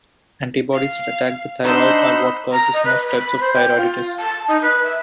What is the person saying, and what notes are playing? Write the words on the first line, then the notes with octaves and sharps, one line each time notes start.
Antibodies that attack the thyroid are what causes most types of thyroiditis.
F5
D4 D#4 C5 D#5 F#5 B5 E6
A#5
D#5
B4
B5
C5
G5
F4
A5
D#4
B4
E5